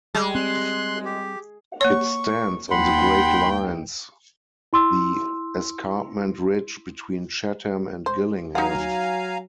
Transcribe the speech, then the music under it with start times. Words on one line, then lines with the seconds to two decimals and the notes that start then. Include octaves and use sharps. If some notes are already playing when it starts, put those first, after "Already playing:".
It stands on the Great Lines, the escarpment ridge between Chatham and Gillingham.
0.15 G3 G#3
0.35 C4 C6 F#6
1.05 G4
1.81 A#3 C#5 C#6
2.71 D#2 F#5 G5 B5 C6
4.73 E4 C6 E6
8.06 C5
8.55 F#3 D#4 F5 F#5 G#5 A#5